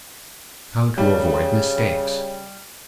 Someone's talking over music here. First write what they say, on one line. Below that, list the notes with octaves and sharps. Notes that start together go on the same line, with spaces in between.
How to Avoid Mistakes.
C#3 G3